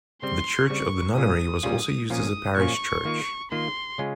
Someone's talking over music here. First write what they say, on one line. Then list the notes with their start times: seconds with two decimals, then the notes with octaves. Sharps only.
The church of the nunnery was also used as a parish church.
0.22 C#3 G3 C4 C6
0.70 C#3 G3 C4 C#6
1.17 A#2 G3 C#4 F4 D#6
1.63 A#2 G3 C#4 F4
2.10 A#2 F3 A#3 C#4 F4 D#6
2.57 A#2 F3 A#3 C#4 F4 C#6
3.05 D#3 A#3 F4
3.51 D#3 A#3 F4 C6
3.98 C#3 G#3 C#4 F4